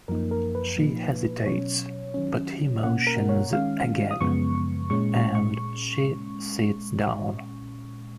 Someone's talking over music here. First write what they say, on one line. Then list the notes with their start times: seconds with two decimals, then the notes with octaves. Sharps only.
She hesitates, but he motions again, and she sits down.
0.08 F#2 F3 A#3 D#4 A#4
0.31 A#4
0.55 B4
0.77 A#2 F3 A#3 D#4
1.46 B2 F#3 C#4 C#5
2.14 D#3 F#3 C#4
2.83 B2 A#3 C#4 F#5
3.07 A#4
3.29 C#5
3.52 D#3 G#3 C#4 F5
4.11 D#6
4.21 F#2 C#3 F3 G#3 B3 C#6
4.90 A#2 G#3 C#4 C#6
5.35 C#6